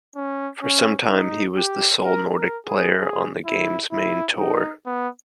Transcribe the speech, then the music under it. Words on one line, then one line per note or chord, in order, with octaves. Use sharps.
For some time he was the sole Nordic player on the game's main tour.
C#4
C#4
D#4
G4
A#4
A#4
G#4
G#4
E4
E4
D#4
B3